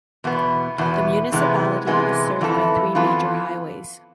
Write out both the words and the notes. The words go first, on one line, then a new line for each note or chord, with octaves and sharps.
The municipality is served by three major highways.
E2 B2 B3
E2 B2 B3
C3 E3 G#3 B3
C3 E3 G#3 B3
F2 E3 B3 F4 A4
F2 E3 B3 F4 A4